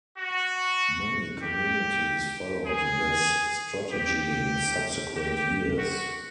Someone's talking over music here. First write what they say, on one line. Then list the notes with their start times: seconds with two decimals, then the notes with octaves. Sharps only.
Many communities followed this strategy in subsequent years.
0.18 F#4
1.42 G4
2.66 G#4
3.92 G4
5.17 G4
5.79 F#4